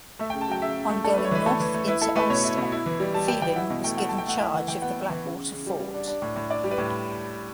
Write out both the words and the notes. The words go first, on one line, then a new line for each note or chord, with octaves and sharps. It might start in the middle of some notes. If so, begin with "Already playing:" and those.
On going north into Ulster, Phelim was given charge of the Blackwater fort.
A3 E5
G5
C#3
A5
F#3 G5
C#3 E5
C#3
A3
D4 A4
B4
A3
C#5
E3 B4
A3 A4
E3
A3
E4 B4
E4 A4
A3 B4
B2 C#5
E4
B2
E4
E3
G3
G3 A5
G3 G5
E3 G5
E4 F#5
B2
A3 G5
A3 F#5
A5
A3
G5
A3 F#5
E4 E5
E3 F#5
E3 G5
B3 F#5
B3
E3
C#3
C#3
C#3
G3
G3
D4
D4
A2
A2
D4 D5
G3
B4
A2